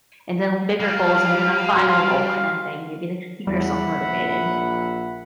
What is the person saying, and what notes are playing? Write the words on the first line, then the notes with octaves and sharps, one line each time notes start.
and then bigger goals and then a final goal kinda thing, maybe to keep yourself motivated.
G3 F5
F#4 C6
E2 G3 E5 F#5 B5
A#1